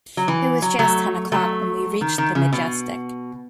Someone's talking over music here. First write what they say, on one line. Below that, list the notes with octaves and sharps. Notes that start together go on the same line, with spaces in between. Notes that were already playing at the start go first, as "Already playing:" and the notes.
It was just ten o'clock when we reached the Majestic.
F#3
E3
F#3
F#3 A3
F#3 A3
D#3
D#3
C#3
B2